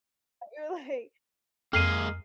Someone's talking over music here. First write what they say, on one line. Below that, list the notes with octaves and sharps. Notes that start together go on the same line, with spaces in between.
you're like
F2 G#3 A#3 F6 C7 D#7